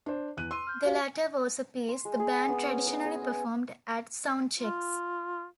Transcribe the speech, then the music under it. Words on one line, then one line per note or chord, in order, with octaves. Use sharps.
The latter was a piece the band traditionally performed at soundchecks.
D4 C5
E2 F#6 D#7
C6 E6 D#7
F6 G6
F#4 G4 F5
C6
G#3
G#4
B3
C#4
B4
G#4
D#5
F4